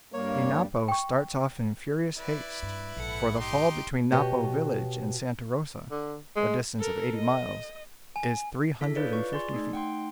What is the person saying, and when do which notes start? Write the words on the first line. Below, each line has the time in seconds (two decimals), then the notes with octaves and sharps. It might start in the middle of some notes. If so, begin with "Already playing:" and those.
The Napo starts off in furious haste, for the fall between Napo village and Santa Rosa, a distance of eighty miles, is three hundred and fifty feet.
0.13 G2 G3 A#3 C#5
0.88 G5 C#6
2.17 E4 B4 D5
2.63 G2
2.96 A#1 G#2 A4 F#5
3.40 D#4 G4 C6 D7
4.12 B2 G4 C#5
5.91 D3
6.36 G#3
6.79 A4 A#4
7.15 D#5
8.16 G#5
8.81 D4 E4 G#4 A4 B6
8.96 B4 C#5 D5 F5 G6
9.13 F4 B4 C#6
9.33 G#4 D5 G#5 C6
9.53 A3 D#4
9.73 F#5 G5 C6